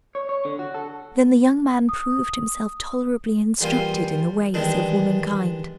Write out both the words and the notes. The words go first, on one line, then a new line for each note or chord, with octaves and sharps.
Then the young man proved himself tolerably instructed in the ways of womankind.
C#5
C#5
D3
F#4
A4
D#6
E2 G3 A#3 F4 G5 G#5
D#3 E3 G3 G#3 D4